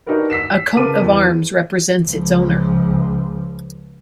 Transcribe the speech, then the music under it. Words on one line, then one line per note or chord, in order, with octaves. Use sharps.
A coat of arms represents its owner.
D4 D#4 F#4 G4 A#4 B4
E6 B6 C7 E7
C#3 B3 A#4 A5 D6 D#7
E2
C#2 F3